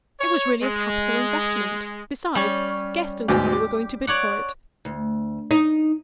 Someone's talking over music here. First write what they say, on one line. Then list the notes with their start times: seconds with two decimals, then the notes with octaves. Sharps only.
It was really a capital investment; besides, Guest &Co. were going to bid for it.
0.20 C#5
0.62 G#3
2.35 G3 C#4
3.28 D2 G#2 B2 G4
3.52 D6
4.07 C#5 D5 F#5
4.85 D2
5.51 D#4